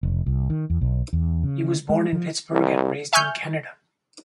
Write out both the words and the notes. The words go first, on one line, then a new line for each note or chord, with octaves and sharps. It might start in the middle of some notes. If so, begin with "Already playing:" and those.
He was born in Pittsburgh and raised in Canada.
F1
C2
D#3
E2
B1
E2
C#3
G#3
F3
C2
E5 G#5 C#6 F6 G6